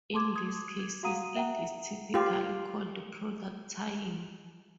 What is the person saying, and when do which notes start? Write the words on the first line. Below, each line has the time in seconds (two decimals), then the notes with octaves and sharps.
In these cases it is typically called product tying.
0.14 A5 C6 D6 G#6
0.36 D#6 G#6
0.79 G#6
1.03 F#4 F5 F#5 A#5 D#6 D#7
1.35 E5 F#5 G5 A#5
2.14 F4 G4